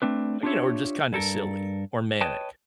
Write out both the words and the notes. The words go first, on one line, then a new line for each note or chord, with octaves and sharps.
eh, you know, are just kinda silly or manic.
A3 C4 D4 B4
D4 F4 G4 C5 C#5 E5
G2 A4 A#4
B4 C#5 D#5 G5 A5